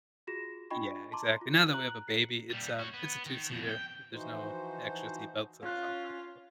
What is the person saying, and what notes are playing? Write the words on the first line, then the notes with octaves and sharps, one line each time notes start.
Yeah. Exactly. Now that we have a baby, it's um, it's a two-seater. There's no extra seat belt, so it's not practical.
F4 F#4 G#4 A#6 E7
D4 F4 D#5 G5 B5 C#6
A5 A#5 C6 D6
F4
A#5 F#6 F#7
C7 C#7
A#2 G3
C#4 F#4
B3
D#3
F2 B2
G5
E3 F3 D#4 F#4 C5
C#4 F4 F#6